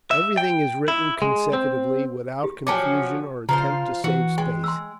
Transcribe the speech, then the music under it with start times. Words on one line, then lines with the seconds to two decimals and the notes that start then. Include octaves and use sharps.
Everything is written consecutively, without confusion or attempt to save space.
0.11 E5
0.37 G5
0.88 E4
1.22 G#3
1.53 C4
2.44 G4
2.67 F3 F#3 C#4 G5 A5 D6
3.49 C#3 F3 C5 F5 A#5
4.04 E3 F#4
4.38 G#3 G5
4.64 C6 E6